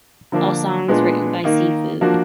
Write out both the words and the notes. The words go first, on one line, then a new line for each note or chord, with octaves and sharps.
All songs written by Seafood.
D3 F3 A#3 D4
A#2 G#3 B3 D4 G#4
D#3 A#3 D#4
F3 A#3 D4 F#4